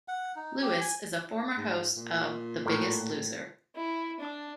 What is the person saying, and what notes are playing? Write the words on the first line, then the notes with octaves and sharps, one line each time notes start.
Lewis is a former host of "The Biggest Loser".
F#5
D#4
G4
G#5
G#2
A#2
A2 A#4
E4
D4